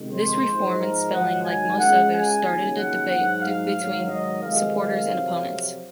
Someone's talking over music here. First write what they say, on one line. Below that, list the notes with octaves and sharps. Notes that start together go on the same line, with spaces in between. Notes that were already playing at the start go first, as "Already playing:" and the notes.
This reform in spelling, like most others, started a debate between supporters and opponents.
Already playing: F2 C3 D#3 G#3
C5
G#2 F3 G#3
A#4
G#2 D#3 F#3 F#5
G#5
C#2 C#3 G#3 F#5
G#5
D#2 C#3 F#3
F#5
G#2 F#3 F#5
F5
G#2 D#3 F#3
D#5
F2 C3 D#3 G#3 F5
F2 C3 F#3